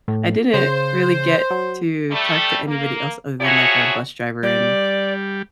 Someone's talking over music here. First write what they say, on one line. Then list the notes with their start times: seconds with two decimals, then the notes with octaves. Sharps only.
I didn't really get to talk to anybody else other than, like, our bus driver and
0.08 A2
0.54 C#3 C5
1.50 F#3
2.10 G3 A3
2.67 A#3
3.40 A#2 F3 E4 F#4 G#4 C#5
4.43 G3 D5